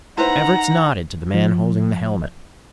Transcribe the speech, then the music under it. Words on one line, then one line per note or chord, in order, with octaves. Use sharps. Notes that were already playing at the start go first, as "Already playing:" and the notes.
Everts nodded to the man holding the helmet.
D#4 E4 B4 C5 F#5 A#5
F3